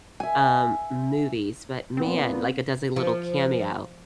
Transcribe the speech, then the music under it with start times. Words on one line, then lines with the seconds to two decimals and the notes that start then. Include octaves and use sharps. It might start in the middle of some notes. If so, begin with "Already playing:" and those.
um, movies, but man, like it does a little cameo,
0.20 E5 G#5
1.97 A#2 B3 C4
2.96 F3